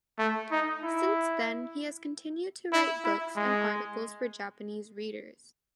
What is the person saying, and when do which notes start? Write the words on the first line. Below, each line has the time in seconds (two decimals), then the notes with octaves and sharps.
Since then he has continued to write books and articles for Japanese readers.
0.18 A3
0.51 D#4
0.83 E4
2.72 E4
3.04 E4
3.36 G#3